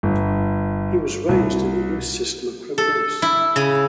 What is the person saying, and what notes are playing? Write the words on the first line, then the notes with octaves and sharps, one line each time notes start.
He was raised in the youth system of Cremonese.
G1
C2
A4
E4
C#3